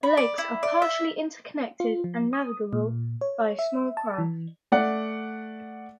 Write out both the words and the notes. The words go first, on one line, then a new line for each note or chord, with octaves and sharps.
The lakes are partially interconnected and navigable by small craft.
B5
D5
E4
D5
E5
F4
F3
D#6
A#2
C#5
E5
A5
E3
A3 D5 F#5